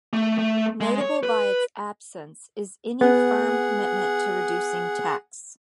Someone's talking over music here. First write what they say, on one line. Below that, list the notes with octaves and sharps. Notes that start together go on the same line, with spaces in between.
Notable by its absence is any firm commitment to reducing tax.
A3
A3
G#3
C#5
B4
B3 G#4 F#5